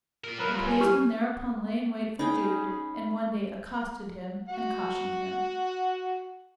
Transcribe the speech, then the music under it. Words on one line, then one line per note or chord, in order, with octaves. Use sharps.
The policeman thereupon lay in wait for Jude, and one day accosted him and cautioned him.
F4 A#4
G2 F#3 A#4 B4
F4 B5
G#5
G4 B4
C#4 D#4 G#4 G5 B5
F#4 F#5